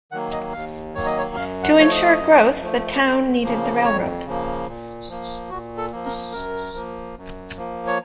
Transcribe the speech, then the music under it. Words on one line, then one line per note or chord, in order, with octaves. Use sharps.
To ensure growth the town needed the railroad.
D#3 F#3 A#3 F#5
D#5
D#2 F5
D#3 F#3 A#3 C#5
D#5
C#5
F#2 F5
F#5
F3 A3 C#5
D#5
F#2
F3 A3
F2
C#3 F3 A#3
F2 C#5
C#3 F3 A#3
A#2
F3 A#3
A#2 F#4
A4
F3 A#3
A#4
F#2 A#4
F3 A#3
F#2
F3 A#3
C#5